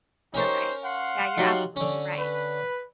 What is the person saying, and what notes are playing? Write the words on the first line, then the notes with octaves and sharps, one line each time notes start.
You're right. Yeah, you're absolutely right.
C#4 D#4 G4 A#4 C5 C#5
F5 F#5 C6
F#3 G3 D#4
D3 C#4
B4